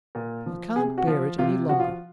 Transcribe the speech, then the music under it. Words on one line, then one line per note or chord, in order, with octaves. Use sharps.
I can't bear it any longer.
A#2
F3
C3 G#4
F#4
F3
C3 F4
F3 F#4
F4